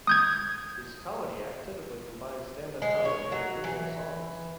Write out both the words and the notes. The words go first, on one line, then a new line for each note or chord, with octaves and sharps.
His comedy act typically combines stand-up comedy and original songs.
D#6 G6 G#6
G#3
C#5
F#3
E3